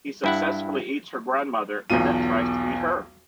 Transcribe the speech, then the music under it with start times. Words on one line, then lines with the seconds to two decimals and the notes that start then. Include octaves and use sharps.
He successfully eats her grandmother, and then tries to eat her.
0.24 G2 E4 F#5
1.90 B1 E2 B2 F4 D#7